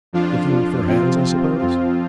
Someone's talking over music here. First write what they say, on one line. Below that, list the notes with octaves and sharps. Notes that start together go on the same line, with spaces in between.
'Looking for hands, I suppose?'
F2 F3 D4 F4
C3 F3 C4 F4
F2 F3 C4 F4